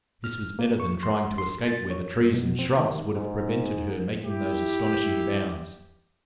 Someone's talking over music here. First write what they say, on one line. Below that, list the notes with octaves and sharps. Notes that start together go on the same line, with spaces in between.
This was better than trying to escape where the trees and shrubs would have prevented her making those astonishing bounds.
F6
A#3
C#6
C6
C6
A6
C#5
G2
B2
C4
D#3
G#2
E4 G4